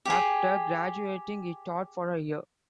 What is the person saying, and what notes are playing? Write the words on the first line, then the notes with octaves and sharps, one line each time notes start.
After graduating, he taught for a year.
G4 G#4